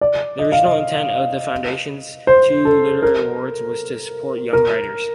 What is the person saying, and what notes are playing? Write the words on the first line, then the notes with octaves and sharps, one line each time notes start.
The original intent of the foundation's two literary awards was to support young writers.
D5
D#5
F5
D#5
C5
A4
A#4
A#4